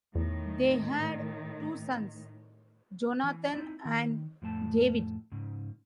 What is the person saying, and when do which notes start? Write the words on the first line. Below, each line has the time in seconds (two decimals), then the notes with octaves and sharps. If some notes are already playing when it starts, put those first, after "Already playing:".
They had two sons, Jonathan and David.
0.15 E2 A2 D#3
3.23 E3
3.53 C4 D#4 E4
3.85 D#3
4.42 F2 A2 A3 A5
5.32 G#2 C#3